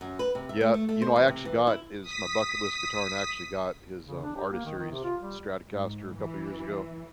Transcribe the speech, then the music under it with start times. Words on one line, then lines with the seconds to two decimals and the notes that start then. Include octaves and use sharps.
Yep. You know, I actually got his my bucket list guitar and actually got his, um, artist series Stratocaster a couple of years ago.
0.01 F#2
0.19 B4
0.35 C3
0.49 E5
0.61 A3
0.74 A3
0.89 A3
1.02 C5
1.16 E3
1.28 C3
1.45 E3
1.67 E4
2.02 D#6 B6
4.07 C#3
4.23 D4
4.36 G4
4.52 A#3
4.65 D#3
4.79 D#3
4.91 C3
5.04 F4
5.21 G3
5.70 G#2
6.15 E3